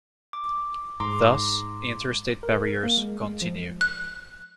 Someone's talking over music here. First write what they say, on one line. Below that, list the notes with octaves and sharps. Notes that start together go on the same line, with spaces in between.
Thus, inter-state barriers continue.
D6
G#2 A#5 C6 D6
A#4
A#3
G#3
G#3
F3
F#6